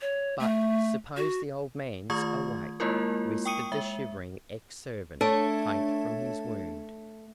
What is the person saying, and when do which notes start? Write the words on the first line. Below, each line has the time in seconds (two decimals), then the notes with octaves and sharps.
"But, suppose the old man's awake?" whispered the shivering ex-servant, faint from his wound.
0.01 C#5
0.40 A3
1.17 F#4
2.10 D#3 A3 F4 C#6 D#6 G#6
2.80 G#3 A#3 E4 F4 A#4
3.45 G5 C#6 D#6 C#7 D#7
3.72 G#3 E5
5.21 A3 D4 A4 C#5